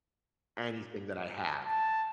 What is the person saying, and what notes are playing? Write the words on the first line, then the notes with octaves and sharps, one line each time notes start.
anything that I have.
A5